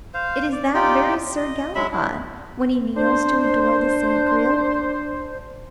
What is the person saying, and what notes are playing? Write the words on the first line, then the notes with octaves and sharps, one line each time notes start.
It is that very Sir Galahad, when he kneels to adore the Saint Greal.'
C5 F5
D5
D#4 F4 G4 D5
D#5
F#3 G#3 E5 B5
D4 E4
D4 C5